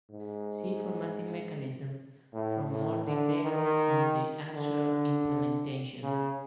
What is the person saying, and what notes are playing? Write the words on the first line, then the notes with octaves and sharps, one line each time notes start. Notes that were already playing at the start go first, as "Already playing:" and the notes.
See Formatting Mechanism for more details on the actual implementation.
G#2
A2
A2
D3
D#3
D3
C#3